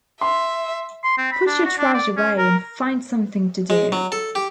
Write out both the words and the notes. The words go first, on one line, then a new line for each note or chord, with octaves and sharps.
Put your trash away, and find something to do.
E5 C6
C6
C4
B5
D4
F#4
D4
D5
C#4
A#4
G#3
F#3
A4
G4